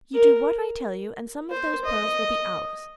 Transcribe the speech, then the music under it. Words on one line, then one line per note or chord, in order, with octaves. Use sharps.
You do what I tell you and some of those pearls will be ours.
A#4
C5
D#5